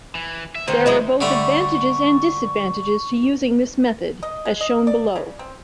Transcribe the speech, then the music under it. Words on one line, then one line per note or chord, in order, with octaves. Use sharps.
There are both advantages and disadvantages to using this method, as shown below.
E3
E5
D3 D#3 A3 D#4 C5
F#3 G#3 D#4 E4
D3 G3 A3 C#6
D#5
G#3
D#5
D5
C#3
C4